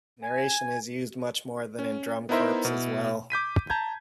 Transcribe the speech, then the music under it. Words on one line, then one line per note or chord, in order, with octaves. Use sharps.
Narration is used much more than in Drum Corps as well.
G#5
C#4
B3 D#4 E4 A#4 C5 E5
B2 E4
D6 G6 B6 D#7
A5 A#5 G6 G#6